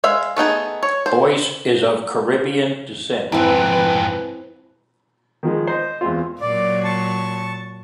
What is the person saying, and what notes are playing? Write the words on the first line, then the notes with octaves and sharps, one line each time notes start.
Boyce is of Caribbean descent.
G#3 E5 F5
A3 B3 D#4 G#4
C#5
C5
F2 G#2 C4 E4 B4
D#3 F3 G#3
C5 D#5
E2 G#3 C4 F4
A#2 F#3 D5
A5 C#6